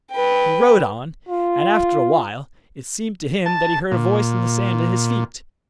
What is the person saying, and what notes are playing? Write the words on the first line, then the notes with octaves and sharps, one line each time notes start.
He rode on, and after a while it seemed to him that he heard a voice in the sand at his feet.
B4 G5
F4
A5
A#2